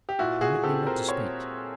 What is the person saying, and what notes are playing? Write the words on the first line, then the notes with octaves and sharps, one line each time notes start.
Permit me not to speak.
G4
A#2 E4 F#4
F#4 G#4
C4 G4 A4
A#4 C5
C4 C#5